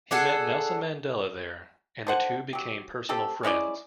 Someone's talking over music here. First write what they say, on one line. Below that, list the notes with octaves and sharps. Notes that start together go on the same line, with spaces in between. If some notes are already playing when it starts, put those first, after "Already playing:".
He met Nelson Mandela there, and the two became personal friends.
D4 G#4 A4 F#5
D3 C5 F#5
F#3 G4
A3 C4 G4 A4
G#3 C#4 E4 D5